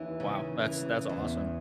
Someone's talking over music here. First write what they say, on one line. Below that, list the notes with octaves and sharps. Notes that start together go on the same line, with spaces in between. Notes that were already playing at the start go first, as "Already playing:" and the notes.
Wow. That's that's awesome.
Already playing: D#2 E3 C#4
C#3
E3
E2